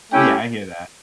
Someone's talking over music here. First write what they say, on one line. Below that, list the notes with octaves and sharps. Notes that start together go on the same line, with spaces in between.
Yeah, I hear that.
A3 C#4 E4 G4 G5